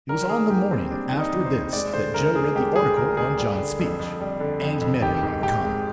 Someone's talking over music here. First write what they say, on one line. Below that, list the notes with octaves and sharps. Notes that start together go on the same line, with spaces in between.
It was on the morning after this that Joe read the article on John's speech, and met him by the Common.
G3 A#4
D#3 G#4
D#2 G4
D#2 C4
G3 D4
D#3
D#4
D#2
C5
D#2
G#3 D5
D3 C5
D2 A#4
D2 G#4
G#3 G4
D3 G#4
D2 A#4
D2 G#4
G3
D3
F2
F2
G3
D3
F2
F2
D#3 G4
G#2
G#1 G4
G#3